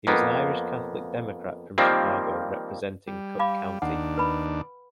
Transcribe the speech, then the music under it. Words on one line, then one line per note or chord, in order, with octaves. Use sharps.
He was an Irish Catholic Democrat from Chicago, representing Cook County.
F2 A#3 B3
D#3 F3 G3 A#3 C4
G3
F5 B5 D6
D#2 D4 F#5
B4 B5